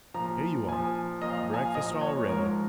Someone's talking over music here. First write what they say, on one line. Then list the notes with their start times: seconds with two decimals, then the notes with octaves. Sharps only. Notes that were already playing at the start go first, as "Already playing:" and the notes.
Here you are, breakfast all ready!
0.14 F3 A#5
0.20 A#2
0.68 A#2 F3 G#5
1.21 A#2 F3 D#5
1.30 F5
1.37 D#5
1.54 G#5
1.65 F5
1.75 A#2 F3 D#5
2.01 C#5
2.23 C#5
2.28 G#2 F3 A#4